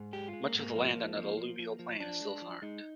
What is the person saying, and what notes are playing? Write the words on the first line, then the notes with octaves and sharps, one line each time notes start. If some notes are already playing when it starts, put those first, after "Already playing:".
Much of the land on the alluvial plain is still farmed.
Already playing: G#2
G#3 G4
G#3 F4
A#3
G#2 A#3
F3
F3
F3
F3
F3
F3
F3 D4
G#3
F3
G#3 D#4